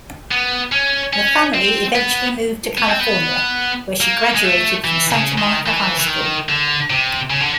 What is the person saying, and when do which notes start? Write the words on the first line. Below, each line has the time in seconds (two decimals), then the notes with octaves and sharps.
Her family eventually moved to California, where she graduated from Santa Monica High School.
0.31 B3
0.72 C#4
1.13 C#4
1.54 C4
1.96 B3
2.78 B3
2.89 C4
3.00 B3
4.01 A#3
4.35 G#3
4.43 A3
4.84 E3
5.11 C#3
5.38 D#3
5.66 E3
6.00 E3
6.07 D#3
6.49 D3
6.90 C3
7.30 C#3
7.41 D3